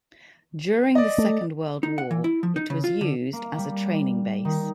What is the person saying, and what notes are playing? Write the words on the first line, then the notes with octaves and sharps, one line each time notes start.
During the Second World War, it was used as a training base.
D5 D#5
A3
D#4
F#5
E3
E4
F3
D#4
C#3
F4
D3
A#3
G3
D#3